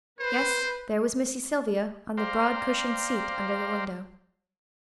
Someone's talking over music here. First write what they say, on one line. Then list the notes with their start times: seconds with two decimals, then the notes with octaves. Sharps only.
Yes, there was Missy Sylvia on the broad cushioned seat under the window.
0.20 B4 C5
2.17 C5 D5 F5 G5 A#5 C6